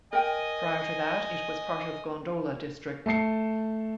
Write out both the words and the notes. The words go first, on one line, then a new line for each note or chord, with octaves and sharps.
Prior to that it was part of Gondola District.
A#4 D#5 G5 G#5
A3 A5 C7 C#7